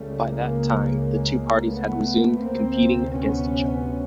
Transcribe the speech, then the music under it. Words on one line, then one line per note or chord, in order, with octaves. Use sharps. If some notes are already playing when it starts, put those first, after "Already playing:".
By that time, the two parties had resumed competing against each other.
Already playing: C#2 C#3 G3 A3
G#3 A#3
G#3 A#3
A3 B3
D2 C3 A#3 C4
B3 C#4